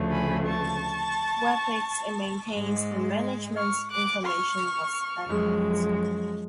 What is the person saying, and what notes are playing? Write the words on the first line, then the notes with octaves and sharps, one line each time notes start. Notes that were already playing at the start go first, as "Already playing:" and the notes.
WebEx maintains the management's information was accurate.
Already playing: D2 C#3 F3 A3
G#5 B5
A5 C#6
G#2 G#3
C#6 F6
D6 F#6
C#6 F6
F#2 F3 G#3